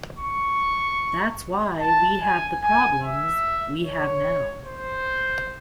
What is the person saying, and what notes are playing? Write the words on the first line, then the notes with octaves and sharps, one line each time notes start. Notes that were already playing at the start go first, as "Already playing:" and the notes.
That's why we have the problems we have now.
C#6
A5
G#5
G#5
E5
C#5
C5